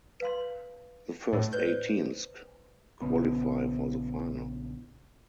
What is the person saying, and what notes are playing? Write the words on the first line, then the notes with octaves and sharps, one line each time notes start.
The first eight teams qualify for the final.
B4 F5 C6
A2
B4 C5 D5 G6
A#1 C#3 B3